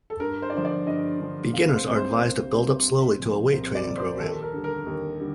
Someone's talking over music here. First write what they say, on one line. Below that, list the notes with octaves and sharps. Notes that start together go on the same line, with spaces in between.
Beginners are advised to build up slowly to a weight training program.
A4
G2 A#4
C5
D5
D3 F3 C5
D5
G2 D#5
D3 F3
C2 F5
C5
C3 G3
C5
C2
C3 G3
C2
A#2 F3
C2 C5
C5
D5
A#2 F3
C5
D#2 A4
A#4
D3 G3
A#4
D#2
D3 G3